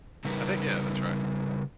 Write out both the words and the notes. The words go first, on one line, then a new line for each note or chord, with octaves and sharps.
I think yeah, that's right.
C#3 G3 D#4 A#4 B4